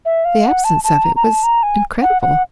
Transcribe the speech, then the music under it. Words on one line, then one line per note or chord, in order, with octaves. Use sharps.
The absence of it was incredible.
E5
F5
F#5
A5
A5
A#5
A#5
A5
A#5
G#5
F#5
F#5